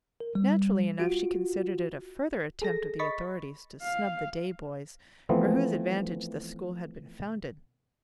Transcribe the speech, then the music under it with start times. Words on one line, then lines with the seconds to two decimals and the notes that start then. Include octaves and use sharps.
Naturally enough, she considered it a further attempt of the authorities to snub the day-boys, for whose advantage the school had been founded.
0.20 A#4
0.35 G3
1.00 F4 F#4
2.62 G#4 A4 A#6
2.99 D#5 B5 C#6 A6 B6
3.82 F5
5.29 E3 F3 A3 B3 C4